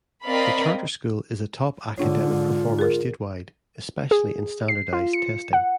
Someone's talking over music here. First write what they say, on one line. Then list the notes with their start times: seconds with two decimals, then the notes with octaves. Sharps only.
The Charter School is a top academic performer statewide, especially in standardized testing.
0.24 C4 A#4 D5 D#5 F5 B5
1.98 G#2 D3 G#3 D4 F4 C#5
2.79 G#4 A#4
4.11 G#4
4.68 C7
4.93 F4
5.13 C#7
5.53 F#5